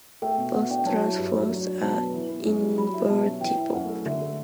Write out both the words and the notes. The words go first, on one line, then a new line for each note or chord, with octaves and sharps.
Both transforms are invertible.
A3 G5
B2
B2 F#5
D4 G5
F#3 A5
E4
G2
A3
F#3
D4
B2 A5
B3
E3
B3
F#2
G3
F#3 B5
E4
B2 A5
C#4
E3 G5
E4
F#2 F#5
A3
D3 E5
A3